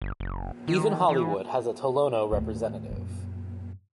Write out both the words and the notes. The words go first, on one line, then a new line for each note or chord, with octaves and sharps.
Even Hollywood has a Tolono representative.
G1
F#1
D#3
E3
D#2 A2
F#2 A#2